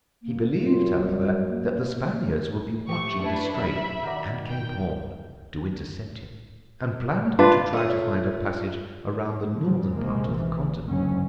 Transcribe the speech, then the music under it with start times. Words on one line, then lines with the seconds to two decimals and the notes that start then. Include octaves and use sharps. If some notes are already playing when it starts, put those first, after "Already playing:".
He believed, however, that the Spaniards would be watching the Strait and Cape Horn to intercept him, and planned to try to find a passage around the northern part of the continent.
0.23 A#3
0.61 F#2 F4
1.03 G3
1.48 A#3
2.89 A3 G4 C#6
3.21 D4 E4 B4
3.54 F2 F#3 E5 B5
4.03 D#3 F#4 D5
4.47 G5
7.39 D4 F4 B4
7.73 A3 F4 A4 C#5 F5 D#6
9.54 C#3 F3
9.96 A#1 C3 G#3 A#3
10.31 E3
10.84 F#1 D2 G#2 F#3 C#4